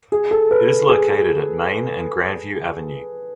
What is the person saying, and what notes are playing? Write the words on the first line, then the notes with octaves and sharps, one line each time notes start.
It is located at Main and Grandview Avenue.
G#4
A4
B4
G#4